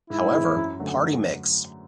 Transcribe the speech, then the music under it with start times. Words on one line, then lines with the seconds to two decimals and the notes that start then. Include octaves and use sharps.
However, Party Mix!
0.10 G#2 E4
0.33 E3 G#3 C4
0.56 F#2
0.80 D3 F#3 A3